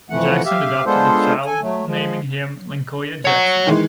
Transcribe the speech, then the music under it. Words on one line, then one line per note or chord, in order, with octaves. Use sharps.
Jackson adopted the child, naming him Lyncoya Jackson.
F2 E3 A3 F#5
G4 E5 F5
G#3 B3 D4 F4 A4 C5
A4 G#5
F#3 A3
F3 G#3
C#5 F#5 C#7
D#3 E3 G#3